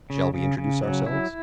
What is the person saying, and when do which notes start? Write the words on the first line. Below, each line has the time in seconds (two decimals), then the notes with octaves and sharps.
Shall we introduce ourselves?
0.10 C#3
0.34 C#3
0.58 C#3
0.82 F#3
1.06 E4